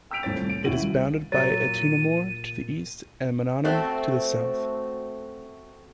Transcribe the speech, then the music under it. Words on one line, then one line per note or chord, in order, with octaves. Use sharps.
It is bounded by Ettumanoor to the east and Mannanam to the south.
G5 E6 G6 B6 D7 F7
D#1 C2 A2 C4 C#5 A6
D7
D#2 C#4 E4 F#4 D#7 F#7
C2
A#2 F#3 A6 D#7
A3 C4 F#4 A4